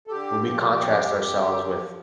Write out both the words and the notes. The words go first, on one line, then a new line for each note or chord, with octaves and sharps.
When we contrast ourselves with
A4
D3 G4
F3
F2 G4
F2
D3
F3